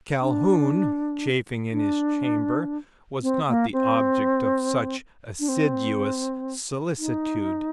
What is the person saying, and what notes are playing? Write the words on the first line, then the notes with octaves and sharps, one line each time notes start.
Calhoun, chafing in his chamber, was not the object of such assiduous solicitude.
D4
D4
C4
A#3
C4
D4
C4
D#4